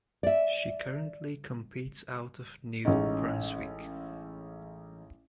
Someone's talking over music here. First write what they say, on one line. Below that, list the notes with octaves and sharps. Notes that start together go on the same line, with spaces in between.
She currently competes out of New Brunswick.
D5 E5
A1 G#3 C#4 D#4